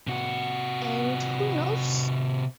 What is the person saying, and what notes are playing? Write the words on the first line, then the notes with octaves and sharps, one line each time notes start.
And who knows...?
C3 F#4